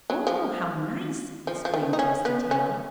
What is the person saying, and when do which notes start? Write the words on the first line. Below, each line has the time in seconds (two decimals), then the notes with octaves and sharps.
"Oh, how nice!" exclaimed Twisty Tail.
0.10 F#3
0.27 F3
1.47 F3
1.65 F3
1.74 D#3
1.93 D#4
1.99 C#4
2.25 B3
2.51 C#4